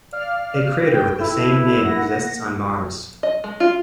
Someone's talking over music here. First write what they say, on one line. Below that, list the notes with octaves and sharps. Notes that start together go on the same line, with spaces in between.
A crater with the same name exists on Mars.
D5 F5 F6
G5
E4 A4 B4
A#3 F#5 A#6
D#5
G#3
F4